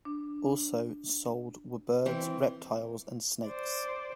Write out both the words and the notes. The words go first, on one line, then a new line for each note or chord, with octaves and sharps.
Also sold were birds, reptiles, and snakes.
D4
E3 C4
C5 D5